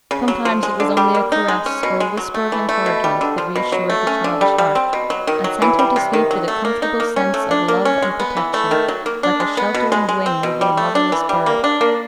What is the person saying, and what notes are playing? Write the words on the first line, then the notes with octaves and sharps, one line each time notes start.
Sometimes it was only a caress or a whisper of encouragement, that re-assured the childish heart, and sent her to sleep with a comfortable sense of love and protection, like a sheltering wing over a motherless bird.
C#3
F#3
F3
G#3
D3
G3
A#3
D#4
G#3
C#4
B2
G#3
F#3
A3
E3
A3
B2
G3
D3
F3
B2
F#3
A3
C#4
D3
G3
G3
C4
B2
F#3
D#3
F#3
E3
G3
C3
D#3
F#3
A3
A#3
D#4
A#3
C#4
A3
D4
A#3
C#4
G#3
B3
E3
A3
D#3
F#3
A#3
D4
G#3
B3
B2
G#3
G#3
C4
B2
G3
A3
D4
E3
G3
A#3
D4
A#3